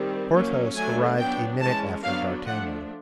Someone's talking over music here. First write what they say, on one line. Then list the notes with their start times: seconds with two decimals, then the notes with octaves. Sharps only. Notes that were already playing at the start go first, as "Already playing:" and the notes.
Porthos arrived a minute after d'Artagnan.
Already playing: D#3 G3 C4
0.33 F#3 A#3 C#4
0.75 F#3 A3 D4 G#5
1.18 F#3 B3 D4 G5
1.61 E3 G#3 C#4 A5
2.03 D3 F#3 B3 D4 F5
2.46 F3 A3 D4 F#5